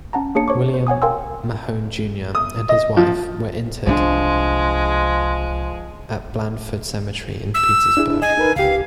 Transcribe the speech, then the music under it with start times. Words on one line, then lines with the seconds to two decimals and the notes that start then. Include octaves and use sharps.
William Mahone Junior and his wife were interred at Blandford Cemetery in Petersburg.
0.13 C#4 F#5 A5 A#5
0.35 A#3 D4 G#4 C#5 A5 C#7
0.48 C5 C#5 C#6 D6
0.74 C5
0.87 C#5 F#5 G#5 D#6
1.02 A#4 F5 G5 G#5 C6 E6
2.35 D#6
2.69 D#5
2.97 F3
3.87 C2 F3 G3 G#3 D4
7.54 E6
7.97 D4 E4 G#4
8.22 D#5 G#5
8.38 D#4 A#4 B4
8.56 C#2 G4 F5